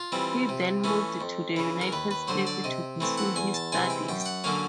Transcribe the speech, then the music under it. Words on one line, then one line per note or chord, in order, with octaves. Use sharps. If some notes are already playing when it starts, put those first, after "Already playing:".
He then moved to the United States to pursue his studies.
Already playing: F4
E3 G3 C4
C3
E3 A3 C#4
F2
C#3 E3
A#4
D#2 B4
B4
D3 F#3 C5
D5
C3 D#5
E3 A3 C4
F#5
E2 G#5
A5
C3 E3 G#3 G#5
G5
F#2 G5
G5
F#5
D3 F#3 A#3 C#4 F5